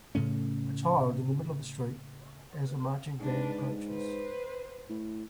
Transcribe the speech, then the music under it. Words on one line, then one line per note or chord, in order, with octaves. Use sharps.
A child in the middle of the street as a marching band approaches.
A2 C#3 A3 C#4
G#2 D4 B4
B4 C5
A2